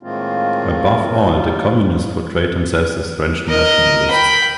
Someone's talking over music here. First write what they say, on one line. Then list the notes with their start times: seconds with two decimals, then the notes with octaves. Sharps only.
Above all the Communists portrayed themselves as French nationalists.
0.03 A2 D#3 G#3 A#3 C4 F4
1.31 F#3 G3 A#3 D#4 F4
3.47 A#4 D#5
4.11 G5 B5